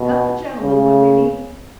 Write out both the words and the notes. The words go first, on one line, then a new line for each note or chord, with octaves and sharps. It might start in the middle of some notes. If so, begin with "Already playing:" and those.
Cut the gentleman when we meet?
Already playing: B2
C#3